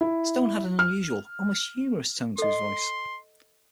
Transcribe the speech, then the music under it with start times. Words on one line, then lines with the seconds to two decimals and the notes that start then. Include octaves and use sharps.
Stone had an unusual, almost humorous tone to his voice.
0.01 E4
0.79 F6
2.38 A4 D#5 C6